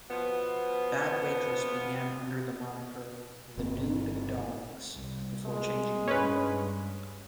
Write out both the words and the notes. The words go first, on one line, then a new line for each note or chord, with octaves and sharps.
Bad Waitress began under the moniker "The Nude Dogs" before changing their name.
B2 F3 B3
G1 C4
C2
G#3
G2 C#4 B4